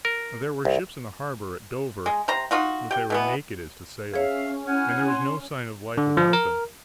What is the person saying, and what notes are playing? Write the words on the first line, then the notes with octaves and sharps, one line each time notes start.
There were ships in the harbor, at Dover, but they were naked as to sails, and there was no sign of life about them.
A#4
C2
G#3
C3 C5 A#5
D#4 F4 F#4
G4 G5
B2 E3 B3
C#4 G#4 C#5 E5 F5
E4 F#5 G#5 F6
C6
D3
F3
A#4